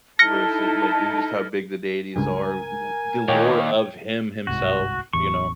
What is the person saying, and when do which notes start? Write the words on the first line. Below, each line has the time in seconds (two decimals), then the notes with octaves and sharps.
versu and, like, and just how big the deities are, th the lore of him himself, you know,
0.19 D#4 E4 A4 A5 F6 A#6 C#7
2.16 C#2 G2 A#4 G#5
3.28 D#2 A#2 C#5 G5
4.47 G1 C2 G#2 F#4
5.13 A1 E2 C#6